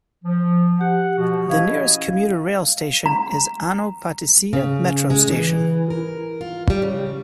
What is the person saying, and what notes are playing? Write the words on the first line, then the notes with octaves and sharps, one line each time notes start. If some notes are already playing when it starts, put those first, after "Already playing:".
The nearest commuter rail station is Ano Patisia metro station.
F3
G4 F#5
B2 F3 F#4
C#4 E4 D#5 F5
A#5
C#3
G#3
E3
A#4
F4
G3
C#3